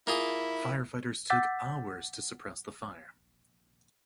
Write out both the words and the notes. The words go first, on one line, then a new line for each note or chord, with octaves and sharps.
Firefighters took hours to suppress the fire.
A#3 E4 F4 G#4
F#5 D6 E6 G6 A6 B6